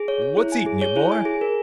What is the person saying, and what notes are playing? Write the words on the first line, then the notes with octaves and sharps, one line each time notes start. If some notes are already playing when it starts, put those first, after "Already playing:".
What's eatin' ye, boy?
Already playing: G#4
C#5
C#5
E4
G#5
G#4
C#5
E4
G#5
G#4
A#4